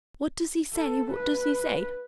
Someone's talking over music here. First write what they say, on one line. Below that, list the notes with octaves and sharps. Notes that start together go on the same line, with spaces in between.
'What does he say, what does he say?
A4
B4